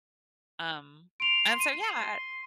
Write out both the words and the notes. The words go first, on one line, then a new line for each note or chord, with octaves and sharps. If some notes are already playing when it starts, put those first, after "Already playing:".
Um, and so, yeah, ah,
C6 D7 F7
D#7